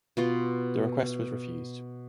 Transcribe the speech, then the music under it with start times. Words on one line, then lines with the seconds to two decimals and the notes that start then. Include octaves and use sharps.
The request was refused.
0.17 B2 F4 C6